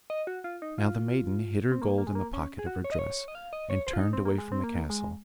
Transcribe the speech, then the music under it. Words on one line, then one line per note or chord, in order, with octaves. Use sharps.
Now the maiden hid her gold in the pocket of her dress, and turned away from the castle.
D#5
F#4
F4
D#4
F4
C4
A#3
A#3
G#3
A#3
C#4
G#4
F#4
C#5
D#5
C#5
D#5
F5
D#5
C#5
C5
F4
D#4
C4
A#3
G#3
C4
A#3
G#3